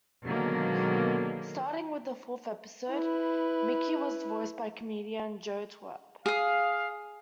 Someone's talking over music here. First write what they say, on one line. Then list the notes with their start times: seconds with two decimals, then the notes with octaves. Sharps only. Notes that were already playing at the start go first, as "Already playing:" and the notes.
Starting with the fourth episode, Mickey was voiced by comedian Joe Twerp.
0.24 B2 D3 D#3 F#3 G#3 A#3
2.91 E4 B4
6.26 G#4 F5 D#6